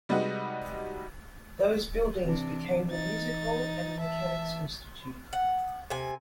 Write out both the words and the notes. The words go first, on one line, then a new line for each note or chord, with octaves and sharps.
Those buildings became the Music Hall and the Mechanics' Institute.
C3 G3 G#3 D#4 F#4 B4
C3 E3 D4
D#4 A6
E5 A5
F#5
C3 G#5